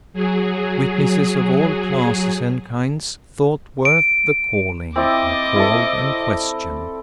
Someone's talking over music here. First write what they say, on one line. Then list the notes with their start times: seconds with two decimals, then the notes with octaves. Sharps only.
Witnesses of all classes and kinds thought worth the calling are called and questioned.
0.13 F#3 G#4
3.85 D7
4.96 C4 E4 D5 D#5 D6
5.56 E4 A4